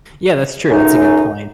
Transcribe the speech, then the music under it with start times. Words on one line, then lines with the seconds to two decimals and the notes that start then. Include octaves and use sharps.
Yeah, that's true. That's a good point.
0.70 C#2 F#2 A2 D#4